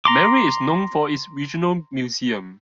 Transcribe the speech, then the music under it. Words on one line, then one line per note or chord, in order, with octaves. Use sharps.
Mary is known for its Regional Museum.
A#5 C6 D6